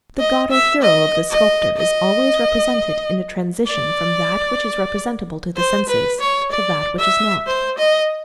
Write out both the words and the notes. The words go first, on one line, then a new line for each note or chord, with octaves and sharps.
The god or hero of the sculptor is always represented in a transition from that which is representable to the senses, to that which is not.
D#5
E5
D#5
D#5
D#5
D5
C5
B4
C#5
D5
E5
C5
D#5